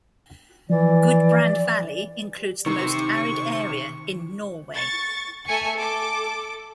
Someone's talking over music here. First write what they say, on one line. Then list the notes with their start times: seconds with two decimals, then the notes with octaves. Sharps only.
Gudbrand Valley includes the most arid area in Norway.
0.70 E3 F3 D5
2.66 C3 D#3 C#6
4.75 C#6 A6
5.46 A3 A4 E5 G#5 C#6 C#7
5.76 A4 D6